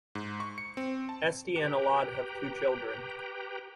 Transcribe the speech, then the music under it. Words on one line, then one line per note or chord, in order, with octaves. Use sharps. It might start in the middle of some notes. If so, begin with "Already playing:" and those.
Esti and Elad have two children.
G#2
C#6
C#7
C4
A5
G4 B4 G5 A#5